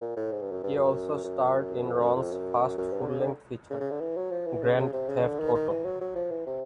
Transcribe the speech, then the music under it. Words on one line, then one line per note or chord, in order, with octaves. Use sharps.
He also starred in Ron's first full length feature, "Grand Theft Auto".
A#2
A2
G#2
G2
F#2
G2
F#2
F#2
F2
F#2
F2
F#2
F#2
G2
D3
C#3
D3
C#3
C#3
D3
E3
F#3
F3
E3
C#3
C#3
C3
C#3
D3
D#3
D#3
E3
F#3
F#3
F3
E3
C3